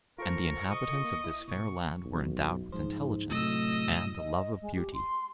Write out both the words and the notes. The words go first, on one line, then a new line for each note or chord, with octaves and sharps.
And the inhabitants of this fair land were endowed with intelligence and the love of beauty.
F4 A4 A#4 C5 C#6
D#5
F4 A4
A#3
E4
B2 C#6
B1
G#2 F3 C5
A2 C3 F#3 A3 D#5 E6
D#5
G#3
G4
C6